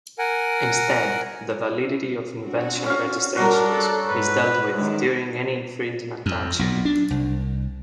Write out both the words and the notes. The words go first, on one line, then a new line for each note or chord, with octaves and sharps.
Instead, the validity of invention registrations is dealt with during any infringement action.
A#4 F#5 G#5
C4 D4 F#4
C#4 F5
G3 D4 F#4 A#4 A#5
A4
G#2 B4
F#2 D#3 G3 G#3
F2
B1 A#2
D4
C2